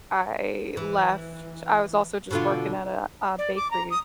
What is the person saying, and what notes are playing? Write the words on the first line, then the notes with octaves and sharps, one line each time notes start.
I left. I was also just working at a a bakery.
E3
B2 D3 F4
D5
D6
A#5
D#6